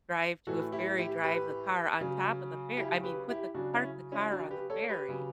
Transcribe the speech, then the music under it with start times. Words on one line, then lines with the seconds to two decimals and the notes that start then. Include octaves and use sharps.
drive to a ferry, drive the car on top of the ferr I mean, put the park the car on the ferry.
0.47 A2 E3 F#4 A4
0.72 E4 G4
0.98 E4 G4
1.24 G4 B4
2.01 C#3 F#3
2.77 E4 G4
3.03 G4 B4
3.29 E4 G4
3.54 C#3 F#3 D4 F#4
3.74 C#4 E4
4.12 C#4 E4
4.31 D4 F#4
4.50 G4 B4
4.70 A4 C#5
4.89 G4 B4
5.08 C#3 F#3